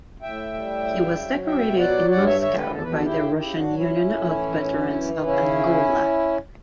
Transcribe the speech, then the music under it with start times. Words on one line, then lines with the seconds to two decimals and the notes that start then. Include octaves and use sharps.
He was decorated in Moscow by the Russian Union of Veterans of Angola.
0.22 A2 E5 G5
0.54 G3
0.85 C#3
1.17 F#3
1.47 B2 E5 G5
1.79 F#3 D5 F#5
2.10 G2 D5 F#5
2.26 C#5 E5
2.41 D3 C#5 E5
2.57 G4 B4
2.72 E2 A4
2.83 B4
2.92 F#4 A4
3.04 C#3 E4 G4
3.35 C#3 E4 G4
3.56 D4 F#4
3.67 F#3
3.77 C#4 E4
3.99 A2
4.30 E3
4.61 F#2
4.93 E3
5.24 C#3 C#4 E4